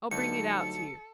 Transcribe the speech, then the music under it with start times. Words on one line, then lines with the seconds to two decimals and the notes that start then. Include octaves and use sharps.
I'll bring it out to you.
0.11 D2 F#3 G3 D#4 A4 C#7